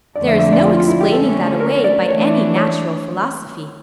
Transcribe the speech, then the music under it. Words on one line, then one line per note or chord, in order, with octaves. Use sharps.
There is no explaining that away by any natural philosophy.
F2 D3 A3 D5
E5
E5
D5
F4
F4
E4
G4
D3 A3 C#4 A4
A#4
D5
E3 A3 D4 C#5
C#5